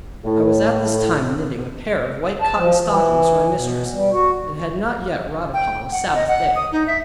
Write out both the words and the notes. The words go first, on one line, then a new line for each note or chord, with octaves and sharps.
I was at this time knitting a pair of white cotton stockings for my mistress; and had not yet wrought upon a Sabbath day.
A2
A5
F3
E3
B2
G3
F#4
G5
F#5
D#5
F#5
D#6
D#4
E5